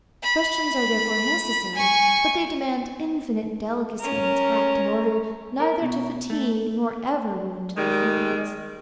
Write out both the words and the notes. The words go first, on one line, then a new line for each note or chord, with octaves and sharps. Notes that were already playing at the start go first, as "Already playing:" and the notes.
Questions are therefore necessary, but they demand infinite delicacy and tact, in order neither to fatigue nor ever wound the feelings.
B5
G#5 C#6
C#4 A#4
A#4
B2
A3
D#3 G3 G#3